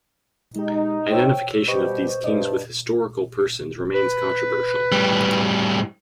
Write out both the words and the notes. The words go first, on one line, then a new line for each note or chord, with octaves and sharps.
Identification of these kings with historical persons remains controversial.
G#3 D#4 G4
C5 C#5 G5 E6
B2 G3 G4 B4 C5 D#5 C#6
G2 D5 D#5
B4
A2 G3